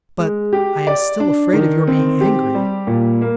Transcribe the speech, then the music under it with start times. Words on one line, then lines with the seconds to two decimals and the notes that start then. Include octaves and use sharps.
"But I am still afraid of your being angry."
0.19 G#3
0.53 G4
0.87 D5
1.20 D4
1.53 D#3
1.87 C4
2.21 G4
2.55 G3
2.87 A#2
3.22 A#3